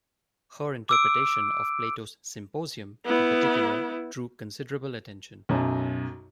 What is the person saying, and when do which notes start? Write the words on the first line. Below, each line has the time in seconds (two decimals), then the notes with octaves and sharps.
Her interpretation of Plato's "Symposium" in particular drew considerable attention.
0.89 D6 E6 D7
3.06 B3 E4
5.49 B1 F#2